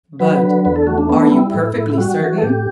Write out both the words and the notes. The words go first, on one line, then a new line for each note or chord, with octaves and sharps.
"But are you perfectly certain?"
F#3 B4
D3
E2 B4
A4
A3 F#4
D4
B3 D4
G3 E4
A2
A2
E4
G3 F#4
E3
A4
A2 G4